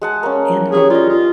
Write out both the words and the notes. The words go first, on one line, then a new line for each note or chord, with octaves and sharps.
And, um,
G#3 F#5 A5
A#3 C#4
C#4 G4 G#4 C#5
F4 D5 D#5
F4